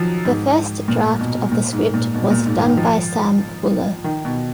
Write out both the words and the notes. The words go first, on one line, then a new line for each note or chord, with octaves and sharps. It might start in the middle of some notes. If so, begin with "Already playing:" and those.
The first draft of the script was done by Sam Fuller.
Already playing: D#3 F3 F#3
G#2
A#2
B2
A#2
G#2
A#2
B2
A#2
G#2
D#3
F3
D#3
B2